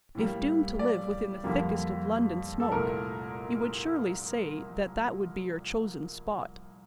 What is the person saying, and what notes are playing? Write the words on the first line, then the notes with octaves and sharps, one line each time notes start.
If doomed to live within the thickest of London smoke you would surely say that that would be your chosen spot.
A2 G3 A#3
D5
F2 D3 G3 A#3
A4
C2 A#2 A3 A#4